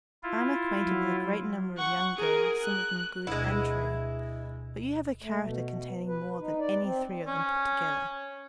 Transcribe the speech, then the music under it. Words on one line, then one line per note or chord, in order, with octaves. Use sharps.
I am acquainted with a great number of young girls, some of them good and true, but you have a character containing more than any three of them put together.
E4 F4
F#3
F#5 C#6
G#4 A#4
F#6
D2 B2 G#3 E4
A3
B2
B4
D#4
D5
C4
C#4